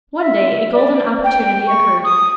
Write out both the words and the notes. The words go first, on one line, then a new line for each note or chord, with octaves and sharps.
One day a golden opportunity occurred.
E5
D5
G5
C#6
D#6